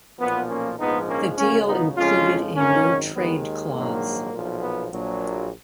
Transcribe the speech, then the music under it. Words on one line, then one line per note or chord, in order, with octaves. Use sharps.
The deal included a no-trade clause.
B1 A#2 F3 B3
A#3 C#4
A#1 G#2 F3 G#3 B3 D#4
A#3 C#4
C#2 C#3 F#3 A#3 C#4
B3 D#4
F2 C#3 F3 G#3 C#4 F4
G#1 F#2 D#3 A#3 C#4
D#2 D#3 G#3 B3
A#1 G#2 D#3 F#3 A#3
B1 A#2 F3
B3
A#1 A#2 F#3